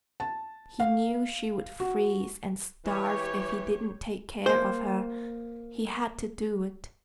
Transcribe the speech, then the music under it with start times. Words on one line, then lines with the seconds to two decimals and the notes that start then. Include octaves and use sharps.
He knew she would freeze and starve if he didn't take care of her; he HAD to do it.
0.20 A5
0.80 F5
1.80 F#4
2.85 E3 G4 C#5
4.46 A#3 C5